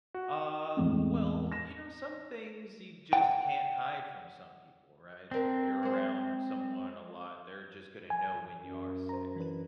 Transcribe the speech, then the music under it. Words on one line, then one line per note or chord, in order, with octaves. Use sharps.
Uh, well, you know, some things you just can't hide from some people, right? So, if you're around someone a lot, they're just gonna know when you are sick.
F#4
E2 A2 G#3 C4
A#6 E7
F#5 G5
C4 D4 A#4
G#3 C5
G#5
F#2
C5 A#5
E3 D4 B4